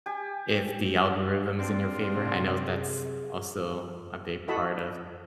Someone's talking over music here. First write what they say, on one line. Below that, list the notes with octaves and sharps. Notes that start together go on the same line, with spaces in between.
if the algorithm is in your favor. I know that's also a big part of
G4 G#5
C4 D4 F4
C3
G#4
E4 F#4 A4 D#5 A5 B5